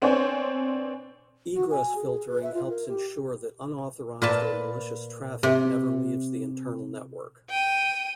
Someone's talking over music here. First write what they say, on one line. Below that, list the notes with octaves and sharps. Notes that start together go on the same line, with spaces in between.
Egress filtering helps ensure that unauthorized or malicious traffic never leaves the internal network.
B3 C4 D4 C5 C#5 G#5
F#4
G#5
G#4
B4
E5
F4
A#4
G4
A#2 B4 A5
C3
G5 D#7